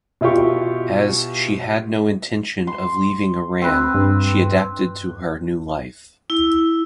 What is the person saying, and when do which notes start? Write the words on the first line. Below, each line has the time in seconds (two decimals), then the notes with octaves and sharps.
As she had no intention of leaving Iran, she adapted to her new life.
0.21 B2 E4 F4 G4 C#6
2.67 C6
3.62 C4 B4
3.94 G2
6.30 E4